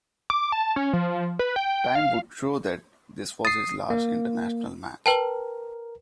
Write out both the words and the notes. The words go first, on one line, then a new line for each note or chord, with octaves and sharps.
Time would show that this was his last international match.
D6
A5
C#4
F3
B4
G5
G5
F5
D#6 A6 C7
A#3
A#4 B4 G5 A5